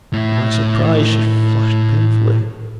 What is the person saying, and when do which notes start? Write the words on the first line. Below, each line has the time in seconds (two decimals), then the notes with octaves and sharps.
To my surprise, she flushed painfully.
0.13 A2 E5